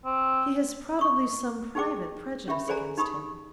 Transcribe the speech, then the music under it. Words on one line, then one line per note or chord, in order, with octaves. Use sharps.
"He has probably some private prejudice against him."
C4
C#6 D#6
D#4 G4 G#4 G5 D6
C#4 G4 E5 B5
G#4 A4 C5 D5 G#5 A#5
D#4 G4 B5 D#6